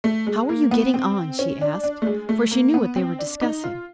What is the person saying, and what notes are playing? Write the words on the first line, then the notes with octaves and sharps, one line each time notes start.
"How are you getting on?" she asked, for she knew what they were discussing.
A3
G#3
A#3
B3
C4
C#4
D4
D4
A3
G#3
A3
A#3
B3
C4
D4
D#4
F4